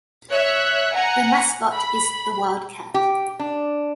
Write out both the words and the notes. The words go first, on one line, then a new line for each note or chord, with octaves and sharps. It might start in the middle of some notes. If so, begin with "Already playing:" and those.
The mascot is the Wildcat.
C#5 E5 F#6
F#5 G#5 A#5
B5
G4
D4